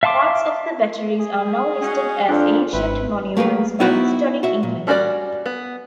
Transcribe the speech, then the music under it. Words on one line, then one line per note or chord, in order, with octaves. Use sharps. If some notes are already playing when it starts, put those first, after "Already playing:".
Parts of the batteries are now listed as Ancient Monuments by Historic England.
E5 F5 A5 C6 D6
G#4
C#4 F#4 D#5
F2 D4
G#1 C4 E4 B4
A3 A#3 G#4 B4
B3 D#4 E4 F#4 B4
F#4 E5
A#2
G3 C#4 F#4 A4 D5
B3